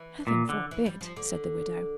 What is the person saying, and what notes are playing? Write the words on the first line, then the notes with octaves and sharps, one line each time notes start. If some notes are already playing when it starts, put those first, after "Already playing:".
"Heaven forbid!" said the widow.
Already playing: E3
A#2
D3
E3
G3
F3
D3